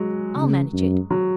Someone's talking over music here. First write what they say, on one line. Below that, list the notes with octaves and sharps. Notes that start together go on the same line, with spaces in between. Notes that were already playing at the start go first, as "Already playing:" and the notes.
I'll manage it.
Already playing: F#3 G#3
C#3
F#2
F#3